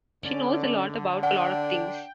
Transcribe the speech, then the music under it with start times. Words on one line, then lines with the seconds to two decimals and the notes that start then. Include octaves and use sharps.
She knows a lot about a lot of things.
0.24 D3 C#4 D5
1.23 D4 F#5 G5